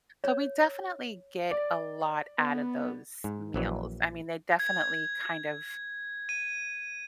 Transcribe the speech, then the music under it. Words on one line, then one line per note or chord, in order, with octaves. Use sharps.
So we definitely get a lot out of those meals. I mean, they definitely kind of
C#5
D5
B3
G#2
A#1 E3 F#3
G#6
D#7